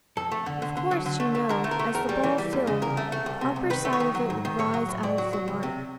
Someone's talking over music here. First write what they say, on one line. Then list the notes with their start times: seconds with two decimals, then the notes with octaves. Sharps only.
Of course, you know, as the ball filled, the upper side of it would rise out of the water.
0.17 F2 A4
0.32 A3
0.46 D3
0.62 D3
0.77 D3
0.91 F#3
1.06 D3
1.20 A3
1.35 A3
1.49 D3 A#4
1.64 A3
1.71 A#4
1.79 A3
1.94 E2 A#4
2.09 G3
2.24 E3
2.38 G3
2.53 E2
2.67 C#3
2.82 C2 A#4
2.97 A3
3.12 A3
3.26 C2
3.41 C3
3.56 C2
3.70 D#3 B4
3.85 A3
3.93 C#5
4.00 D#3
4.15 F#3
4.30 G#2
4.45 D#3
4.59 A2 C#5
4.74 F#3
4.89 A2
5.03 A2 D5
5.18 F#3
5.33 F#3
5.48 C#2
5.63 C3